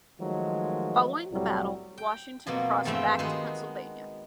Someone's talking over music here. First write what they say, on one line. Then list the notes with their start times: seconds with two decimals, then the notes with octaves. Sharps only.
Following the battle, Washington crossed back to Pennsylvania.
0.20 D#3 F3 F#3 G#3 A3
1.31 C2 A2 F#3 G3
1.98 G5
2.47 F2 B2 F#3 A#3
2.85 E2 G2 F3 A3 C4 G5
3.19 D#3 G#3 B3 F#4 C6